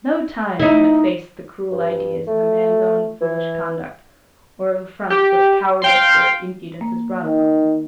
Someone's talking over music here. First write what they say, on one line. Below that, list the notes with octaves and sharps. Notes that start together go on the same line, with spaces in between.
No time can efface the cruel ideas of a man's own foolish conduct, or of affronts, which cowardice or impudence has brought upon him.
D#4 E4
G2
A3
E3
G4
F5 G5 C6
A#3
D#3